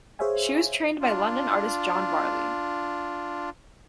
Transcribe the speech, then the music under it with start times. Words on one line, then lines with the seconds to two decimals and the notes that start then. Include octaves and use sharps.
She was trained by London artist John Varley.
0.19 G#4 C5 C#5 E5 F5 G#5
1.01 D4 F4